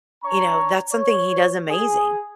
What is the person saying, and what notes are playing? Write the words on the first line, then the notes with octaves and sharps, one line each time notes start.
you know, that's something he does amazing.
D4 C#5 A#5 C#6
C#5
G#4